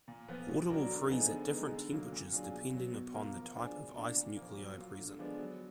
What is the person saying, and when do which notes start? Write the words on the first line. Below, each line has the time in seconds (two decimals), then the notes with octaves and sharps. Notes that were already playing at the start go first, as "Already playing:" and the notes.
Water will freeze at different temperatures depending upon the type of ice nuclei present.
0.08 A#2
0.28 F3 B3 F4 B4
0.49 B2
0.69 F#3 D4 F#4 A#4
0.89 D3
1.10 F3 B3 D#4 G#4
1.30 D3
1.51 G#3 B3 D#4
1.71 D3
1.92 F#3 A#3
2.12 A#2
2.32 F#3 D4 F4 G#4
2.53 B2
2.73 F#3 B3
2.93 B2
3.14 A#3 F4 A#4
3.35 F3
3.55 B3 D4 F4 G#4
3.76 B2
3.96 A#3 D4 F4
4.16 A#2
4.37 F3 A#3
4.58 F#3
4.78 A#3 F4
4.98 D3
5.19 F3 G#3 B3 D4
5.39 F#3